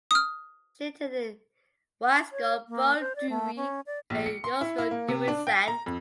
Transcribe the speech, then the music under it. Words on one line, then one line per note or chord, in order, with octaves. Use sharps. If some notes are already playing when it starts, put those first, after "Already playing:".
She attended Ysgol Bro Dewi and Ysgol Dewi Sant.
D#6 F6
C#5
A#3
C5
D5
A3
C#4
D5
A#1
C#7
C6
E4
E4
A#3
C3
D4
G5
A#5
F2